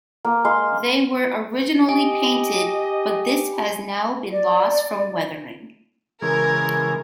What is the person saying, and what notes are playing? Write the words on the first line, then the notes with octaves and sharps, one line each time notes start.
They were originally painted but this has now been lost from weathering.
A#3
G#3 F5 C6
G4 D#5 G#5
D5
C#3 E3 G#3 G#4 A#4 G#6